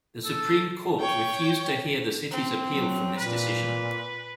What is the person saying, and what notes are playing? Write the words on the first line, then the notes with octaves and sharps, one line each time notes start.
The Supreme Court refused to hear the city's appeal from this decision.
A4
C#5 G5
C4
F#3
A#2 B4